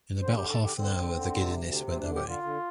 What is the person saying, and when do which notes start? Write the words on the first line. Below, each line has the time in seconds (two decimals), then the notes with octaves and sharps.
In about half an hour the giddiness went away.
0.22 D3 C5
0.36 D3 G4
0.50 A4
0.59 D3 G4
0.77 D3 C4
0.96 D3
1.14 D3
1.33 C3
1.50 D2
1.69 C3
1.87 D2 C4
2.01 D4
2.07 D3
2.15 G4
2.24 D3
2.29 F4
2.43 D3